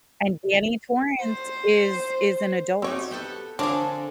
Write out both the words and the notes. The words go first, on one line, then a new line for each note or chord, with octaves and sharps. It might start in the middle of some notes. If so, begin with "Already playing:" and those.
And Danny Torrance is is an adult.
C5
C4 D#4 F#4 G4 C#5
B3 G4 A4
D3 F3 C4 D4 G#4 A#4 C#5